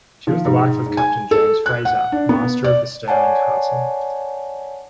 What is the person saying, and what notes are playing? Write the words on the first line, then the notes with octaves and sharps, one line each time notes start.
She was the wife of Captain James Fraser, master of the "Stirling Castle".
F3
G#2
G#2
G#5
A4
F#6
F#5
D4
B3
D5
C#5 D5 F#5 G#5 A5